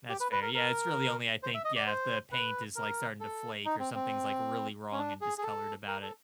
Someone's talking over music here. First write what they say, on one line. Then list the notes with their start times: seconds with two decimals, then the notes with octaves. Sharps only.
That's fair. Yeah, it's really only, I think, yeah, if the paint is, like, starting to flake or something's, like, really wrong and discolored about it.
0.09 G4
0.20 B4
0.32 B4
0.42 A#4
0.54 A#4
1.43 C5
1.54 E5
1.65 D#5
1.76 D5
1.87 C5
2.32 B4
2.76 A#4
3.20 A4
3.65 D#4
3.79 C4
3.95 C4
4.92 C#4
4.98 D4
5.21 G#4
5.38 G#4
5.43 A4
5.87 A#4
6.02 A4